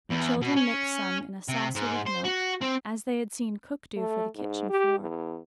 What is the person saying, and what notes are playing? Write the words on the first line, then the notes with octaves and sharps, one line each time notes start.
The children mixed some in a saucer with milk, as they had seen cook do for the kitchen floor.
E2
B2
C#4
C3
G#2
C5
F#4
C4
A3
G#2
G4
E2